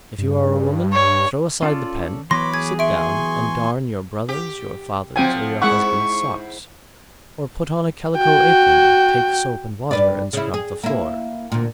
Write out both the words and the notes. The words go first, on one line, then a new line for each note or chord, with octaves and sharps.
If you are a woman throw aside the pen, sit down and darn your brother's, your father's, or your husband's socks, or put on a calico apron, take soap and water and scrub the floor.
G2
C#5
C#4 F4 A4 D5
E3 F#3 B3 C#5 B5 C6 D6 A#6
G#4 G#6
E5 G#5 C6 C#6 D7
G4
F3 F#3 C4 G5 G#5
G#2 G#3 E4 F#5 C#6
F#4 G5
G2 B4 D5
C#3 E4
G#4
A#3 E4
D2 A#2